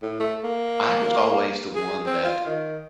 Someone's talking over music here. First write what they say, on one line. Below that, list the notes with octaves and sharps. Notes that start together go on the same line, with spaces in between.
I was always the one that
A2
A3
A#3
G#4
C4
F4
D#3